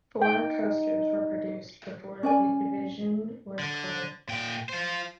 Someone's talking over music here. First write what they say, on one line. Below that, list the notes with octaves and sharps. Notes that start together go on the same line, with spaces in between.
Four coasters were produced before that division was closed.
D#4 G5
C#4 D5 G#5
D3
A#2 G5
F4 C5